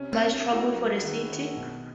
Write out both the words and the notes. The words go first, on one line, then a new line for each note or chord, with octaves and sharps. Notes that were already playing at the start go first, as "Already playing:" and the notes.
This intense migration caused much trouble for the city.
Already playing: C3 C#4
C4
C3
C#4
C3
E4 F#4
F#3 A#4
B4
G#4 A#4
D#3
D#3
B2